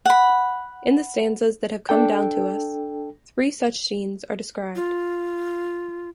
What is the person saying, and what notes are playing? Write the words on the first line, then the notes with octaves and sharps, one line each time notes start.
In the stanzas that have come down to us three such scenes are described.
F#5 B5
D4 A4 G5
F4